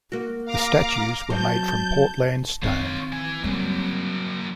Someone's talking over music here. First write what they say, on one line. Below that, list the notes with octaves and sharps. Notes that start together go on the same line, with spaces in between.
The statues were made from Portland stone.
A#3 F#4
F5 A#5 D6
F#3 C4 A5 G6
D#3 C4 F4 C#5
E3 G#5
F#3 G3 A#3 C4